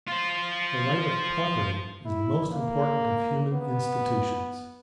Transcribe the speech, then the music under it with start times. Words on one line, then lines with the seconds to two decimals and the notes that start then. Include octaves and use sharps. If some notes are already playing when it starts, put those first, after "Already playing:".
"The right of property is the most important of human institutions."...
0.07 F4 C5
2.05 E4
2.52 A#3
3.53 B3